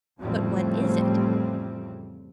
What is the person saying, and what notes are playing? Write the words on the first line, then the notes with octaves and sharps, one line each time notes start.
"But what is it?"
A1 F2 A2 C#3 G3 C4